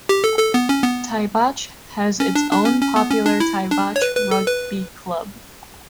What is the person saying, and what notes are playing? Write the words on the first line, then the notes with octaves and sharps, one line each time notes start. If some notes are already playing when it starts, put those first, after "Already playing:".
Taibach has its own popular Taibach Rugby Club.
G4
A4
A4
B3
C#4
B3
C#4
D4
D4
C#4
C#4
B3
C#4
D4
E4
D4
C#5
B4
B4
A4
B4